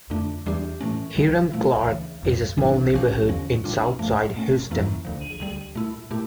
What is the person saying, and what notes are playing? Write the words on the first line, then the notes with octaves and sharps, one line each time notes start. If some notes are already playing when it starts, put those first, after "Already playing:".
Hiram Clarke is a small neighborhood in south side Houston.
F2 D3 A3 D4
E2 E3 G3 D4 G4
A2 E3 A3 C#4
C#2 C#3 G3
A#2 F3 A3 E4
D2 C#3 E3
G1 F2 C#3 G3
A#1 A2 E3 G3 D4
C#3 F3 C#4 G4
E2 D3 F3 C#4
A#2 G3 D4 F4
G2 F3 A3
A#2 A3 C#4
F2 E3 A#3 C#4 E4
D2 D3 F3
D2 D3 G3
A#2 A3 E4
A#2 A3 E4 G4